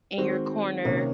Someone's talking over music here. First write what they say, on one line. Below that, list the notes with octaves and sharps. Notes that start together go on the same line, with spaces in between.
in your corner,
D#3 G#3 C4 F#4 C5
C3 D#3 A#3 C#4